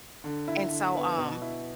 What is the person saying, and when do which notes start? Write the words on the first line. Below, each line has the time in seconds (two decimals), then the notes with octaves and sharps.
and so, um
0.24 D3
0.48 E4
0.70 D3
0.95 B3
1.18 B2
1.42 E4